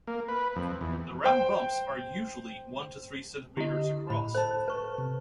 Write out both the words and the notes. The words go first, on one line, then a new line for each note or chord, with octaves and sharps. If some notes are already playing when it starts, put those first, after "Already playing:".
The round bumps are usually one to three centimeters across.
A#3
B4
F2
E2
C5 G5
D3 E4 G4 D#5
A2 B5
A4 C5 A5
B4 C#6
C3